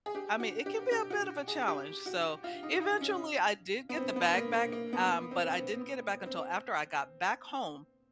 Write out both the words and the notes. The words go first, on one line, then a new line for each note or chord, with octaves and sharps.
I mean, it can be a bit of a challenge, so, eventually, I did get the bag back, um, but I didn't get it back until after I got back home,
G#4
G4
F#4
G4
G4
F#4
G#4
G4
F#4
F4
D#4
D#4
C#4
B3
C4
B3
A#3
A#3
A#3
B3
C4
C4
C4